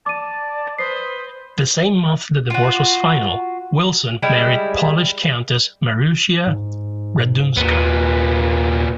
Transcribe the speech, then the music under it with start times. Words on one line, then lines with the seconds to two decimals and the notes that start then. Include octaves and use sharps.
The same month the divorce was final, Wilson married Polish countess Marusia Radunska.
0.06 D5 A5 D6 D#7
0.78 B4 C5 D#6 C7
2.50 F4 F#4
4.22 G3 G#3 E4
6.47 G#2
7.57 D#2 A#2 B3